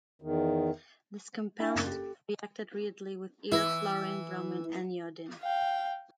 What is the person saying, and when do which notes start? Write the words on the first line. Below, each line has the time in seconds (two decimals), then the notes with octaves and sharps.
This compound reacted readily with air, chlorine, bromine and iodine.
0.22 E2 D#3
1.60 D4 E4 G5 G#5
1.75 F#1 F#6 A6
1.87 G4 A4
3.52 E3 E4
5.42 F5 G5